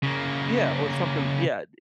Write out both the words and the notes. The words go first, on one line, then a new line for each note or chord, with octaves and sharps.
Yeah, or something Yeah,
C#3 A#3